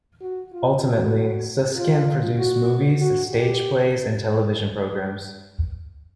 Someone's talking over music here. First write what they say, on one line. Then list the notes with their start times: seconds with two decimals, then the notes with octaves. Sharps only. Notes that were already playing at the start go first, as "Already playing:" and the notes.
Ultimately, Susskind produced movies, stage plays and television programs.
0.21 F#4
0.53 F4
0.83 F#4
1.76 F4
2.38 F#4
3.01 F#4
3.31 G4